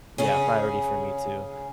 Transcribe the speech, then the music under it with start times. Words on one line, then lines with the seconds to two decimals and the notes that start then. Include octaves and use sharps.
Yeah. Priority for me too,
0.18 C#3 C#4 G#4